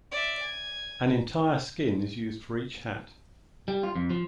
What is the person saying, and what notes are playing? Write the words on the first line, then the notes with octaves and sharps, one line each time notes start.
An entire skin is used for each hat.
D5 E5
G#5
G3
F4
F2
F3